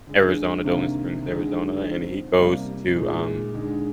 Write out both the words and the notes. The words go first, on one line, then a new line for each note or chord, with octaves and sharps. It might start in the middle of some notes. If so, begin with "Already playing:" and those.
Arizons Dolan Springs, Arizona, and he goes to, um
D3 G#3 D4
C3 D#3 A#3 D4
D3 G#3 D#4
F3 C4 D#4
C3 G3 A#3
A#2 G#3 D#4
D3 G#3 D#4